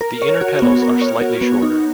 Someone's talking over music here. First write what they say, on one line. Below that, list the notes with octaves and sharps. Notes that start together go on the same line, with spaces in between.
The inner petals are slightly shorter.
A#4
C#5
F#4
B3
A#4
C#5
F#4
B3
D#4